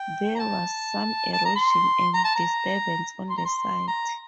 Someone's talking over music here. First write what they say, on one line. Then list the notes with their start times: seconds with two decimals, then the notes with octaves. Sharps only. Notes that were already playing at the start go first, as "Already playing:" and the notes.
There was some erosion and disturbance on the site.
Already playing: G5
0.35 A#5
0.40 A5
1.33 A5
1.45 A#5
1.56 C6
2.14 A#5
2.25 A5
2.36 A#5
3.29 C6
3.38 A#5
3.45 C6
3.88 A#5